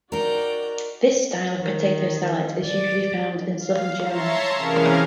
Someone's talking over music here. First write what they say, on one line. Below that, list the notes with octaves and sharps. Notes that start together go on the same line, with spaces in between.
This style of potato salad is usually found in Southern Germany.
D#4 F#4 A#4 D5 G5 A#5
D#3
D5
F5
C#5 E5 A5 A#5 C6
C3 E3 C#4 G#4 A#4 F5